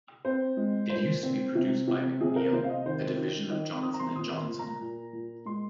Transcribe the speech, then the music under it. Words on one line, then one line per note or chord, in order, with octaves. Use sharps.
It used to be produced by Mcneil, a division of Johnson and Johnson.
C4 C5
G#3
A#2 C5
C4
C3
C3
C3 G#4
A#4
C3 C5
F5
D#5
D#3 C5
D#3
D#3 D#5
C4 D#6
A#5
C6
A#2 D#6
C6
A#2
A#5
A#2
A#2
G#3 C6